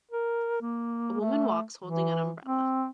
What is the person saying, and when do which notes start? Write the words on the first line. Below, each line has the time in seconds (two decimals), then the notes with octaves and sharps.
A woman walks holding an umbrella.
0.11 A#4
0.62 A#3
1.20 A3
1.84 E3
2.45 C4